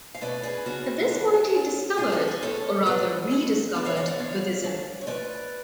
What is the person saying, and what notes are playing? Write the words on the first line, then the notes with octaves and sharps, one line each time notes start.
At this point he discovered - or rather rediscovered - Buddhism.
F5
B2 A3 C#4 B4 D5
G#4 B4
C#3 F#3 B3 D4 F#4
D3 F#3 B3 D4
F3 A3 C#4
A2 G#3 D4 F4 G#4
F#4 A4
G#4 B4
A2 F3 B3 D4 A4 C#5
A2 G#3 B3 D4 B4 D5
A2 F3 G#3 C#4
A2 F3 B3 D4 B4 D5
C#5 F5
C#5 F5
D5 F#5
D3 F3 B3 C#5 F5
C#3 F#3 A3 D4
C#5
F3 A3 C#4 B4 D5